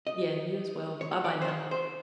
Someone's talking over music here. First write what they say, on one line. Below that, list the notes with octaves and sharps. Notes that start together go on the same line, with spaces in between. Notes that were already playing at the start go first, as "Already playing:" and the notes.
Yeah, you as well. Bye-bye now.
D#5
C#5
D5
C5
C#5
C5